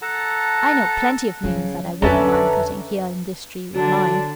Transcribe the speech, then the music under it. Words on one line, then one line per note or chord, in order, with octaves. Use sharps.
"I know plenty of names that I wouldn't mind cutting here in this tree with mine."
A4 F#5 A5 A#5
C#3 F#3
F2 D3 C#4 B4 E5 A5 A#5
D3 F#3 D4